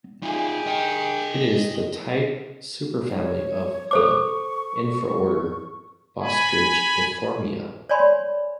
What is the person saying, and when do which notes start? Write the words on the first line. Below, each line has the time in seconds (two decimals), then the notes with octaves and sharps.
It is the type superfamily of the infraorder Bostrichiformia.
0.23 D#4 F4 G4 G#4
0.67 D#5 G5
3.10 C#5
3.91 A4 C5 C#6 D6
6.23 G#5 B5
7.89 C#5 D5 G#5 B5 C6